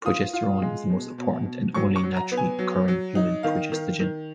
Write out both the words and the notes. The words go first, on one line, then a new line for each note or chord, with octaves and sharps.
Progesterone is the most important and only naturally occurring human progestogen.
F4 D#6
F4
G#3
B2
B2
B2
F#3 C#6
C#6
F#3
A#5
B3
G#5
F#3
F#3
D#4
D#3 F5
D#3
D#3